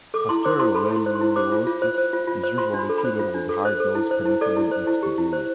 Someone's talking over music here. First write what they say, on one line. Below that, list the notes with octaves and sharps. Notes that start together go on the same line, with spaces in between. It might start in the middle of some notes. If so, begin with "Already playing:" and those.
Pasteurellosis is usually treated with high-dose penicillin if severe.
A4 D6
E4 C6
C5 D6
E4 C6
A4 B5
E4
C6
C5
C6
E4
C5 D6
F4
F4
C5
C5
F4
F4
C5
F4 C6
D4
B5
A4
B5
C5
F4
D4
A4
C5
A4
E4
C5
E4
A4 D5
E4
C5
E4
G4
E4
C5